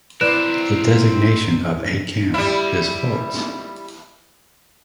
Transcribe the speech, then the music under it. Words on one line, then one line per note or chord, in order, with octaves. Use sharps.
The designation of "a camp" is false.
C4 E4 A#4 B4 D5 F#6 D7 E7
G3 E4